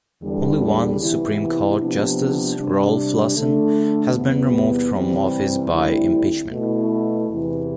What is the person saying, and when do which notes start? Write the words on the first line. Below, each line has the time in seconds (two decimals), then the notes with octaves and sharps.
Only one Supreme Court Justice, Rolf Larsen, has been removed from office by impeachment.
0.21 E2 D3 G3
1.00 C3 E3 B3 E4
1.78 C3 F3 B3 D4
2.57 C3 G3 D4
3.35 D3 A3 D4
4.13 E2 C3 G3 B3
4.92 C3 E3 G3 C4
5.71 D2 D3 G3 C4 E4
6.50 B2 A3 E4
7.29 E2 C3 E3